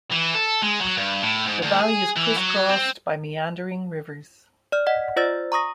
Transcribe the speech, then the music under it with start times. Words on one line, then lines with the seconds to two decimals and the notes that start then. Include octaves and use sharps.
The valley is criss-crossed by meandering rivers.
0.11 E3
0.34 A4
0.62 G#3
0.81 F#3
0.97 G2
1.23 A2
1.46 G#2
1.63 D2
1.80 G#4
2.17 E3
2.38 F#3
2.69 C4
4.72 D5 F6
4.87 D#5 F#5 B6
5.16 F4 C5 D5 E6 A6
5.52 A#5 C#6 D#6 A#6